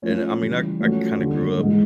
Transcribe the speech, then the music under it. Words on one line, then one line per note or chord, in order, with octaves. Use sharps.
and I mean, I I kinda grew up
F3 A3 C#4 F4
C#3 E3 G3
F3 A3 C#4 F#4
D#2 D3 G3
G#2 E3 G#3